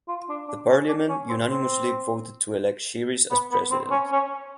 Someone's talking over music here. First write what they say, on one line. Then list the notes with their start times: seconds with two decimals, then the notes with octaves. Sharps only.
The Parliament unanimously voted to elect Sheares as president.
0.08 F4
0.29 D4
0.48 D4
0.69 C#4
0.88 D4
1.09 C#4
1.29 C4
1.50 C4
3.31 B3
3.52 B3
3.71 C4
3.91 C#4
4.12 C#4